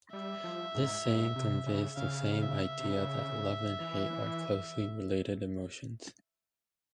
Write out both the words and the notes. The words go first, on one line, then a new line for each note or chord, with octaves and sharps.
This saying conveys the same idea that love and hate are closely related emotions.
G3 E5
F3
G#2
G#2
C3
C#3
C#3 F5
E5
C3
C#3
E3